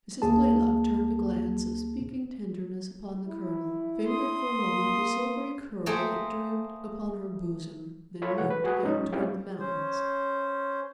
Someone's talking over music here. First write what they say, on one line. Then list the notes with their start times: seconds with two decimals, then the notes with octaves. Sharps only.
Mrs. Blaylock turned a glance of speaking tenderness upon the Colonel, fingered for a moment the silvery curl that drooped upon her bosom, then looked again toward the mountains.
0.22 D2 A#3 G#4 A5
3.26 E4
4.07 C6 D#6
4.50 A#3
5.86 A3 A#3 G#4 C5 E5 G5
8.22 F4 A4 C#5 E5 B5
8.38 B2 E3 C#5 F#5
8.51 B4
8.64 F#4 G#4 B4
8.83 G#3 C#4 D#4
9.13 G#3 C4 C#4 E4 F4 G4
9.60 C#4 C5